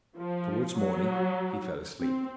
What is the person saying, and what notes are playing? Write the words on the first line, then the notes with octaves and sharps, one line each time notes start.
Towards morning he fell asleep.
F3
F#3
C4